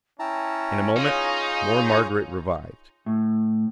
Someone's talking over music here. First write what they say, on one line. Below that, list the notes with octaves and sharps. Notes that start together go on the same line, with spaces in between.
In a moment more Margaret revived.
C#4 E4 G5 A5 A#5
D#4 F4 G#4 C#5 F5
A2